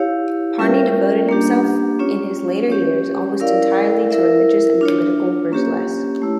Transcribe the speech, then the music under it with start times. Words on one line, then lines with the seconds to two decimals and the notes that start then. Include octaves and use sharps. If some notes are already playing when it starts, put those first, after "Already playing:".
Parny devoted himself in his later years almost entirely to religious and political burlesque.
Already playing: E4 G4 C#5 F5
0.59 G3 C#4 F4 A#4 E5
1.29 A#3 D4 G4
1.99 C#4 F4 C#5
2.70 C#4 G4 C#5
3.40 E4 A#4 D5 F5
4.11 E4 A#4 E5
4.81 D4 F4 C#5
5.52 A#3 C#4 G4 C#5
6.22 A3 E4